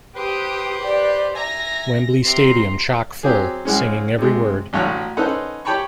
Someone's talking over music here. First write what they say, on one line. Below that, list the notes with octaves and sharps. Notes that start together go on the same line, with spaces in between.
Wembley Stadium chock full, singing every word.
G4 B4 C5 D#6
G4 D5
E5 G#5 A#5 A#6
C3 A#5 C6
F#3 C4 G4 G#4
C#2 G#3 C#4
C3 G#3
A1 D2 C#5 F#5 A#5
C#4 D#4 A4 B4 C5 F#5
G4 C#5 G5 A5 B5 C#6